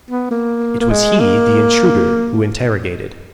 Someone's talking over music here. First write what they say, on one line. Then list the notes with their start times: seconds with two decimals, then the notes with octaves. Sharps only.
It was he, the intruder, who interrogated.
0.11 B3
0.31 A#3
0.81 A#3
0.90 G#3
1.20 A#3